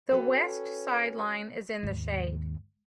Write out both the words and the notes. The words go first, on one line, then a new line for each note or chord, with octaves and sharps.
The west sideline is in the shade.
C#4 F#4 A4 B4 C#5 G5
D#2 G#2